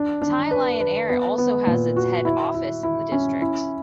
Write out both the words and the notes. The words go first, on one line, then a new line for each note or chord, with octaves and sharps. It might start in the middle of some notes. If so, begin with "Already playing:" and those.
Thai Lion Air also has its head office in the district.
Already playing: D4
D4
B4
B4
B3
B3
A#2
F#4
E4
E4
E4
C#4
E4